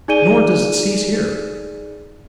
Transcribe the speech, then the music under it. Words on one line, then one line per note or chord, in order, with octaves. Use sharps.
Nor does it cease here.
D#4 G#4 D5 G#5 D#7 G7